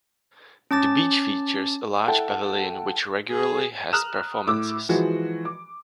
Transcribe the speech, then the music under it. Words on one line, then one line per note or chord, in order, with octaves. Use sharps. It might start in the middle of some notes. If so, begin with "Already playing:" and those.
The beach features a large pavilion which regularly has performances.
C#4 A5 D6 A6
E4 A4 F#5 G5 A5
G#4
A#5 D#6 F6 F#6 E7
A2 D6 E6
E3 F3 G#3 F#4
D6